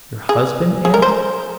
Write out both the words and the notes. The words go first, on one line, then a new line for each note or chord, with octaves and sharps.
'Your husband, aunt?
G#4
G#4
A#4
C5